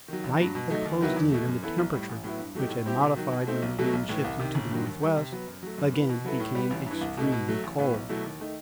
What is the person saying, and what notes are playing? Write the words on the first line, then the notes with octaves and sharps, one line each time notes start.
Night had closed in, and the temperature, which had modified when the wind shifted to the northwest, again became extremely cold.
D#3 F#3
A1
G2 F#3
B2
F#3 A3 D#4
D#2
D#3 F#3 B3 E4
E2
B2 A3
F#2
E3 B3 E4 A4
B1
A2 G3
A1
A2 F#3 B3 E4
G2
F#3 A3 D#4 G4
A2
G3 C4 E4 G4
C3
D#3 F#3
B2
A3 C4 D#4
B1
B2 F#3 A3
B1
A2 E3
C2
C3 D#3
G1
G2 D#3 F#3
D#2
D#3 G3
C3
F#3 B3
F#2
F#3 A3
F#2
E3 B3
B2
F#3 B3 E4 A4
A2
G3 B3
A1
G2 E3
C2
B2 A3 D#4
B2
F#3 A3
A1
A2 E3 B3
B1
B2 F#3 A3 E4
D#2
D#3 A3 D#4